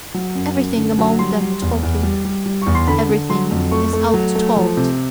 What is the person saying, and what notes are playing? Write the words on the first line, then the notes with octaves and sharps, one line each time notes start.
Everything among them talketh, everything is out-talked.
F#3
F#2
F#2
D3
F#3
G3 C6
G3
E2
E2
G3
G3
G3
E2 C#6
C6
D3 B5
D3
F#3 C6
F2
A3 C#6
A3
F#3
A3
F3
C3